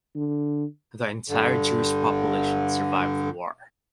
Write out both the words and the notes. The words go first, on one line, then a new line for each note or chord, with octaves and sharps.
The entire Jewish population survived the war.
D3
G2 D3